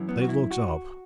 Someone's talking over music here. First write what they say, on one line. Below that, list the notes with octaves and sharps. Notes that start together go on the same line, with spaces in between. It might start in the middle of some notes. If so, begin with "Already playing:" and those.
They looked up.
Already playing: F#2 E3
B3
F#4
E4
F#4